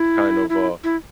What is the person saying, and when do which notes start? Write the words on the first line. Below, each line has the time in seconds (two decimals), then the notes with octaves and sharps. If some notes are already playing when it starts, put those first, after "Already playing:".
kind of, uh,
Already playing: E4
0.49 E4
0.84 E4